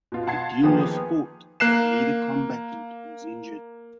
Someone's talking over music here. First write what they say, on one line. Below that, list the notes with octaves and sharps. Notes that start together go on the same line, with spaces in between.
The duel was fought, but neither combatant was injured.
B2 F4
F5 F#5 A5 C6 G#6 C7
D#3 F3 A#3 B3 G4 G#4
A#3 F#6 C7 E7